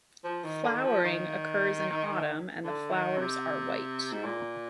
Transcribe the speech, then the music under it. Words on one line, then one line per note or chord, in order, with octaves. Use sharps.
Flowering occurs in autumn and the flowers are white.
F3
D#3
D3
D#3
F3
D#3
D3
D#3
C3
G#2
A#2